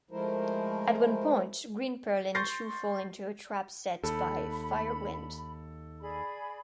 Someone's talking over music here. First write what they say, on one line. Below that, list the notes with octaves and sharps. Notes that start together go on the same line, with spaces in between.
At one point, Green Pearl and Chu fall into a trap set by Fire-Wind.
F3 G#3 A3 E4 A#4 C5
C6 C#6 G6 A6 A#6 C7
D#2 A4 B5
G#4 D5 B5